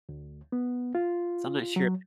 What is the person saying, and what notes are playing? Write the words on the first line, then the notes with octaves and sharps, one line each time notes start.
so I'm not sure
D2
B3
F4
F#3